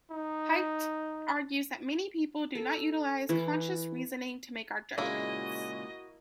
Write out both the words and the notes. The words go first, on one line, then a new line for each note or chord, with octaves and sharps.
Haidt argues that many people do not utilize conscious reasoning to make our judgments.
D#4
A4
E3
A#2 C#3 G#3 A#3 E4 F#4 D#5